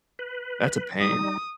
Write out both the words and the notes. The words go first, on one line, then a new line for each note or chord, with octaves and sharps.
That's a pain.
B4
G3 D#4 D#6